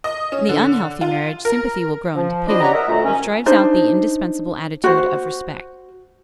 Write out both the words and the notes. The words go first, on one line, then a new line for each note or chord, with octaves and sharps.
In the unhealthy marriage, sympathy will grow into pity, which drives out the indispensable attitude of respect.
D#5
C#4
D3
F4
A#4
F3
C4 D4 E4 F4 C5 D#5
D4 G4 C#5 F#5 A#5
A#4 D#5 E5 F#5
D2 A#2 A3 A#5
D#3 C#4
D4 D#4 C5
F#4 C5